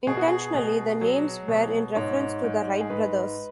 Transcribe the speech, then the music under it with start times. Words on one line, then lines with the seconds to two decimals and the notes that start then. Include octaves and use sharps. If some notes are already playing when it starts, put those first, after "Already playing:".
Intentionally, the names were in reference to the Wright brothers.
0.07 B2 G#4
0.17 F#4
0.28 G#4
0.54 B2
1.01 F#3
1.48 B2
1.95 G#2 C#5
2.44 G#2
2.81 G#4
2.90 G#2 B4